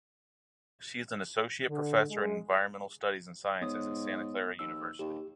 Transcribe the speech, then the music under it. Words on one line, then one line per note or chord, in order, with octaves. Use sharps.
She is an Associate Professor in Environmental Studies and Sciences at Santa Clara University.
D3
G#3
G#2 B3 C#5 D#6
D#2 E6
D#2 G4